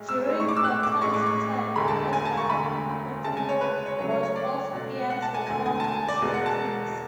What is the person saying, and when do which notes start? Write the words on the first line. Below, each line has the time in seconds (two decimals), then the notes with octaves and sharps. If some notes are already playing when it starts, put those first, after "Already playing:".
During Horton's tenure as governor, he continued most of Peay's reform initiatives.
Already playing: B1 A2 G#3
0.09 E6
0.28 A1 A2 G#3
0.40 C#6
0.48 D6
0.56 E6
0.64 F#6
0.83 D6
1.02 A1 A2 G#3 C#6
1.14 D6
1.26 C#6
1.76 E1 D2 D3 G#3 B5
1.88 A5
2.13 G#5
2.25 A5
2.37 C#6
2.50 E1 D2 D3 B5
3.24 D2 C#3 G#3 A5
3.37 G#5
3.49 C#5
3.61 B4
3.86 C#5
3.98 C#2 C#3 F#3 A3 C#5
4.11 C#5
4.23 C#5
4.36 D5
4.73 C#2 B2 A3
5.10 F#5
5.22 A5
5.34 G#5
5.47 E1 D2 D3 A3 G#5
5.66 G#5
5.80 A5
5.84 G#5
6.08 D5
6.21 E1 E2 B2 G#3
6.34 F#5
6.46 A5